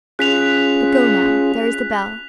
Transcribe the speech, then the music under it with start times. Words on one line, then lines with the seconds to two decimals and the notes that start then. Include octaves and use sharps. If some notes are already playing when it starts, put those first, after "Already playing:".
But go now; there is the bell.
0.19 C#4 F4 G#4 F#6 B6 F7